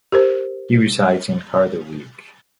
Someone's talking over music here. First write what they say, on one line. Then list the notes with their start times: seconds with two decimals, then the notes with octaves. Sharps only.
He resides in Harderwijk.
0.12 G4 A#4 C5